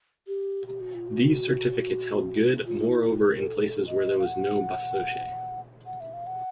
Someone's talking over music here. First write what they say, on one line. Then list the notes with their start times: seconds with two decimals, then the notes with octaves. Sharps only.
These certificats held good, moreover, in places where there was no Basoche.
0.27 G4
0.67 G4
0.81 F#4
0.94 F4
1.08 F#4
2.66 F4
2.86 E4
3.06 F4
3.21 B4
3.26 A#4
3.46 A4
3.87 D#5
4.18 F5
4.26 F#5
5.86 F#5
6.00 E5
6.13 F5
6.26 F#5